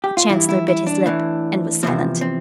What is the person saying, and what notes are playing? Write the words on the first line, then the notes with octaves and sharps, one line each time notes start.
The Chancellor bit his lip, and was silent.
G4
F4
G2 E3 E4
E4
E4
D4
A2 E3
E2 C3 F3 C4
C4